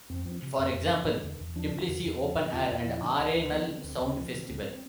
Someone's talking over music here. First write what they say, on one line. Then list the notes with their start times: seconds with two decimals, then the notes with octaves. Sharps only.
For example, Tbilisi Open Air and Arenal Sound Festival.
0.10 F2 C4
0.25 F3
0.42 C3
0.59 F2
0.75 F2
0.91 F3
1.07 D3
1.23 E2
1.40 E2
1.56 F3 D4
1.73 D3
1.88 E2
2.05 E2
2.21 F3
2.38 D3
2.53 E2 F4
2.71 E2
2.79 E4
2.86 F3
3.02 D3 D4
3.19 D2
3.27 D4
3.35 D2
3.52 F3 B3
3.68 D3 D4
3.76 C4
3.84 D2
4.00 D2
4.17 F3
4.33 D3
4.49 D2